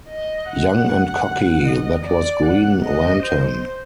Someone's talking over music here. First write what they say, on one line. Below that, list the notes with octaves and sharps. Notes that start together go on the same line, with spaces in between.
Young and cocky, that was Green Lantern.
D#5
F#5
D#5
D5
F#5
D#5
C5